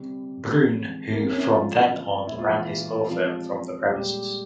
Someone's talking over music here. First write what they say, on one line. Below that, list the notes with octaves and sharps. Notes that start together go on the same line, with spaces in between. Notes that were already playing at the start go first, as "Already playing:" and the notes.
Bruun who from then on ran his law firm from the premises.
Already playing: C3 G3
C3 E3 G#3
A#3
C4
C#4
E4
C3 F3 G#3 F4
A#2 G#3 E4
F4
E3 E4
C3 F3 G#3 F4
F4
A#2 G3 G#3 G4